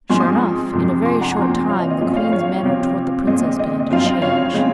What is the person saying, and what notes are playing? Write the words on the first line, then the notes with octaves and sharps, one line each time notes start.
Sure enough, in a very short time the queen's manner towards the princess began to change.
G#2 F3 G#3 C4 G#5 C6
C6 D#6
F2 C3 F3 G#3
G#5 C6
F#5 A#5
A#2 F3 C4 G#5 C6
C#5 F5
D#5
D#5
A#2 F3 G#3 C4 D#5
C#5 F5
C#5 F5
C3 F3 C4
A#2 G#3 C4 D#5
D#5
D#5
D#5
F#2 F3 C4 F5
D#5
C#5 F5
C#3 G#3 C4